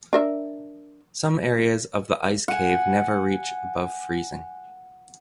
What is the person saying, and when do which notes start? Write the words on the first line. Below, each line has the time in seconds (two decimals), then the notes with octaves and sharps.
Some areas of the ice cave never reach above freezing.
0.13 D4 A#4 E5
2.48 F#5 G#5